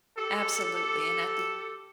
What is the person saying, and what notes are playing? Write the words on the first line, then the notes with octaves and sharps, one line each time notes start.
Absolutely, and at the
G4 A4